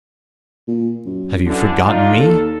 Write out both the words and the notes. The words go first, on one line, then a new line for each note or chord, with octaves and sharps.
Have you forgotten me?
A#2
F#2
D3 E3 D4
D4 D#4 F4
D#2 A4